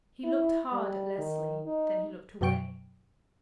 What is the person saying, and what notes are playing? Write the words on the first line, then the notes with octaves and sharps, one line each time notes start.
He looked hard at Leslie, then he looked away.
E4
G3
D#3
D#4
F#2 B2 F#3 G5 C#6 D7